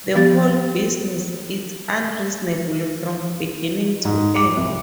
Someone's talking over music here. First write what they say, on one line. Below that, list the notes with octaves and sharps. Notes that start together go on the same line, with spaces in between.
The whole business — it's unreasonable from beginning to end.
F3 B3 G4 A6
G#2
D6
C2